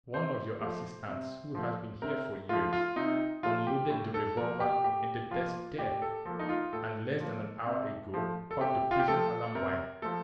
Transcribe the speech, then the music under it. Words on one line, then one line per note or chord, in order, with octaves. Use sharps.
One of your assistants who has been here for years unloaded the revolver in the desk there, and less than an hour ago cut the prison alarm wire.
C3 C5
F3 A3
C3
F3 A3
C3 A#4
F3 A3 F4
F4
C3 D#4
F3 A3 F4
G4
A2
A4
F3 A#3 A#4
G4
A2 G4
F3 A#3 F4
A2 G4
A4
F3 A#3 A4
D#4
F4
A2 A4
F3 A#3
C3
F3 A3
A4
C3 G4
F4
G4
F3 A3 A4
C3 A#4
F3 A3 A4